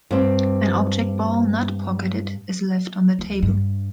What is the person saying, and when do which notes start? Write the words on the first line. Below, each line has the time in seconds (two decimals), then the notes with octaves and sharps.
An object ball not pocketed is left on the table.
0.11 G2 C4
3.19 D2
3.43 G2